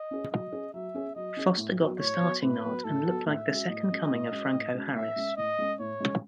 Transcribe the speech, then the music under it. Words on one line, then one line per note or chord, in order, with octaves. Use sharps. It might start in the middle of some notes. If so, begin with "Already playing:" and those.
Foster got the starting nod and looked like the second coming of Franco Harris.
Already playing: D#5
C#4 G#4
F#3 D#5
C#4 G#4
F#3 E5
C#4 G#4
F#3 D#5
C#4 G#4
A2
F#3 B3 F#4
A2 C#5
F#3 B3 F#4
A2 B4
F#3 B3 F#4
A2 A4
F#3 B3 F#4
A2 E5
G#3 C#4 F#4
A2 D#5
G#3 C#4 F#4
A2
G#3 C#4 F#4
A2
G#3 C#4 F#4
A2 E5
G#3 C#4
A2 D#5
G#3 C#4
A2 C#5
G#3 C#4